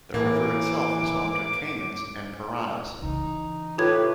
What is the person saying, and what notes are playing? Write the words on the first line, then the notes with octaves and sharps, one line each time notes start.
The river itself is home to caimans, and piranhas.
A2 E3 A#3 D6
C#3 E3 D#4
A2 F4 G4 B4 G#6